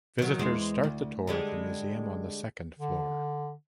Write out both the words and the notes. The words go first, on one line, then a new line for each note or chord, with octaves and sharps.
Visitors start the tour of the museum on the second floor.
D#3 F#3
E2 G#3 C5
D2
D3 G3 G#3
D3